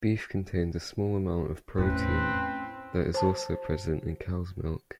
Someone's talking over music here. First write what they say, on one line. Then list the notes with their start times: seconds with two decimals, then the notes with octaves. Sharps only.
Beef contains a small amount of protein that is also present in cow's milk.
1.78 E2 A2 C4 C#4 E4 B4
3.14 C5 A5